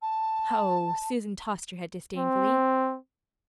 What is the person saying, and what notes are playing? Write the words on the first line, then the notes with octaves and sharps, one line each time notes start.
"Ho!" Susan tossed her head disdainfully.
A5
C4